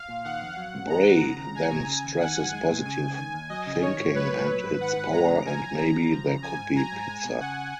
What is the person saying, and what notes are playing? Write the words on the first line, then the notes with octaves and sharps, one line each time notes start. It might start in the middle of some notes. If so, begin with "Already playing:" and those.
Bray then stresses positive thinking and its power and maybe there could be pizza.
Already playing: F5
A#2
D#3 F#5
F2
F#3
G#2
D#3 A#5
F2
C#3
D#2
G#3 G#5
B2
C#3
D#2
D#3 F#5
F#2
G#3 G#5
A#2
C#3 G#5
C#2
D#3 G#5
D#2
F#3 D#5
C#3
D#3 C#5
G#2
F#3 B4
A#2
F#3
G#2
D#3 F#5
G#2
G#3 A#5
C#3
F3 G#5
F#2
D#3 A#5
D#2
F3
C#3
F3 G#5
G#2
F#3 A#5
G#2
G#3 G#5
B2
C#3 F#5